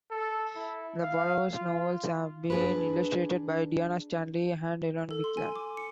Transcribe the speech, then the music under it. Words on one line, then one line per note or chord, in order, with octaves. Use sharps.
The "Borrowers" novels have been illustrated by Diana Stanley and Ilon Wikland.
A4
E4
F5
F4
D4 G#4 B4
A4
C6
G#5
D6
C#7